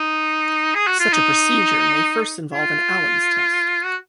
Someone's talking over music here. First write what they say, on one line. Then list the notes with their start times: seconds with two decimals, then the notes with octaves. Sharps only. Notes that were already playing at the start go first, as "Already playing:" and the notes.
Such a procedure may first involve an Allen's test.
Already playing: D#4
0.75 G#4
0.87 F#4
1.00 F4
1.12 D#4
2.54 F4
3.84 F#4